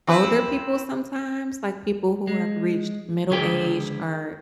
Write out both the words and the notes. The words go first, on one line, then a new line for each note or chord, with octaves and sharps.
older people sometimes, like people who have reached middle age or,
C4 E4 B4
G#3
C#2 D3 G#4 B4 G5